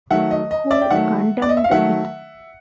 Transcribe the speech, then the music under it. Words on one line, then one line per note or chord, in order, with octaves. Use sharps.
Who condemned it?
D#3 F#3 A3 E5 F#5
D#5
D#5
D5 E5
G5
D#3 F#3 A3 E5 F#5
D5
D#5
E5
F5
D#3 F#3 A3 E5 F#5